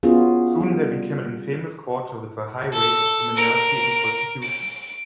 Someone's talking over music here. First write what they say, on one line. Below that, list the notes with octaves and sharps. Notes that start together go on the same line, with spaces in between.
Soon they became an infamous quarter with a high rate of criminality and prostitution.
B3 C#4 F4 F#4 G#4
G3
A4
A#4 D7
D7